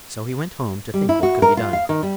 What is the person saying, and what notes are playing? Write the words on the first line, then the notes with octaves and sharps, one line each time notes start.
So he went home to think what could be done.
G3
E4
F#4
A#4
F4
F5
D#3
G3